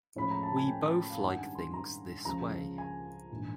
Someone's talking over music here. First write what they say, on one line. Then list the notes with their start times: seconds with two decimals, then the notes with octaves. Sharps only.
We both like things this way.
0.15 A2 F3 G#3 C#4 E4 B5
0.31 A#5
0.43 A5
0.56 G#5
0.68 G5
1.10 F5
1.21 G2 D#3 G#3 C#4 E4 F#5
1.38 G#5
1.55 C6
1.74 A#5
2.25 C#2 C#3 F3 A#5
2.78 G#5
3.31 A#1 G#2 E3